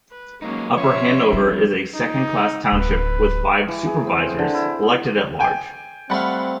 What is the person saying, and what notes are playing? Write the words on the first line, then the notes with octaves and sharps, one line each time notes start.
Upper Hanover is a second-class township with five supervisors elected at-large.
B4
F#3 G#3 A#3 C#4 D#4
F3 C#4 F4 C#5 E5
G3
D#4
D1 B4
E3
G#4
C4
C5
D3
E4
B3
G5 G#5
G3 A3 C4 F5 F#5 B5